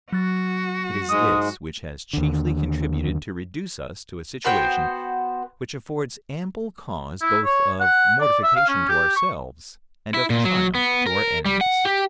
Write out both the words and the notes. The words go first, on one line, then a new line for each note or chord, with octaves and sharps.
It is this which has chiefly contributed to reduce us to a situation, which affords ample cause both of mortification to ourselves, and of triumph to our enemies.
F#3 F#4 F#6 A6
G#2 G#3 D#6
D#2 D3
B3 F#4 C5 G5
E4
C#5
F#5
D5
E5
F5
C#4
G4
C#6
E4
A#2
F#3
B3
A#4
G3
F#5
G4